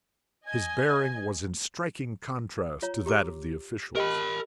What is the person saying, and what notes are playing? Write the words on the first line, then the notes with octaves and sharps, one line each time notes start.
His bearing was in striking contrast to that of the officials.
D#5 G#5 G#6
F4 C#5 A#5
G4 A#5 D6
G4 A#4 D#5 G5 B5